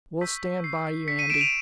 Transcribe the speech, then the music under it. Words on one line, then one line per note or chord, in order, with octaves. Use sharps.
"We'll stand by you, Andy."
C#6 E6 G6 B6
C7
B6 C#7
C#7 D#7
D7 E7
D#7 F7